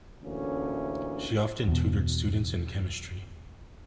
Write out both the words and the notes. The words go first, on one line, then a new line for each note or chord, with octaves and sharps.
She often tutored students in chemistry.
A1 D2 A#3 C#4
E2 B2